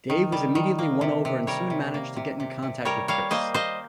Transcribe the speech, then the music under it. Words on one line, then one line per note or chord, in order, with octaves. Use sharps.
Dave was immediately won over and soon managed to get in contact with Chris.
D#3
G3
D#3
A#3
C3
C3
G3 A#4 C#5
C3
A#3
C3
C3
C3
G3 A#4 C#5
G3 C#5 F5
A#3 C5 D#5
A#3 C5 D#5